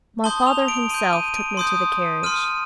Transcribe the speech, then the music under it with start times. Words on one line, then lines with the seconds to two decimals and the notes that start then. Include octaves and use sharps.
My father himself took me to the carriage.
0.24 A5 C6 D#6 G6 G7
0.47 F7
0.68 D7
0.90 C6 G6 D#7
1.13 D#7
1.35 D7
1.57 C6 D#6 G6
2.23 C6 F6 D#7